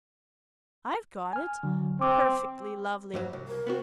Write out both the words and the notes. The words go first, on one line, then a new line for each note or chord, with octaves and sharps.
'I've got it! perfectly lovely!
G#5 F6
D3 F#3
C4 D6
F2 G#2 F#3
C2
A#4
B3 C4 F#4